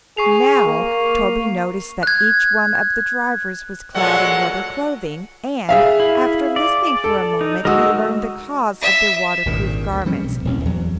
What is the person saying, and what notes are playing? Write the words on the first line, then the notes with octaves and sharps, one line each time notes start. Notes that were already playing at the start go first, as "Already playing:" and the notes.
Now, Toby noticed that each one of the drivers was clad in rubber clothing, and, after listening for a moment, he learned the cause of their water-proof garments.
G#4 C#6 C7 F7
A#3
F#6 G#6
A#2 F#3 G#3 A4 C#5 F#5
G#4 E5 F5
E4
D5
A4
D#4
G#3 F#4 A#4 D#6 E6
E5
G#1 G2 A#2 D#3
D2
F3 G3 C4 C#4
B1
D#1 C2 C#4
E2 F#3